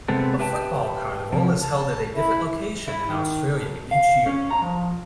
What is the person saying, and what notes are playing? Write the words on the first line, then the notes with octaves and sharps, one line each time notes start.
A football carnival is held at a different location in Australia each year.
C3 G#3 B3 C4 A4
G4 B4 E5 G5 A5
C3 F3
A5
E4
E4
D#3
B1
F5
C#4
A#5
F3